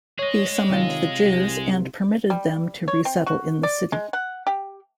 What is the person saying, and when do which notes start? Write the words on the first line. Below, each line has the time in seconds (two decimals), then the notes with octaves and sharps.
He summoned the Jews and permitted them to resettle in the city.
0.19 G#4 C#5 D#5
0.69 C3 D#3 F4
1.26 C2 G4
2.30 G3
2.88 C#5
3.05 C4
3.26 F#4
3.63 D5
3.92 G#3
4.13 F#5
4.47 G4